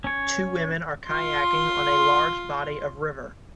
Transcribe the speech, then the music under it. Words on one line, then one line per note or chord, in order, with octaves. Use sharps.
Two women are kayaking on a large body of river.
C#4 C#5
F4 C6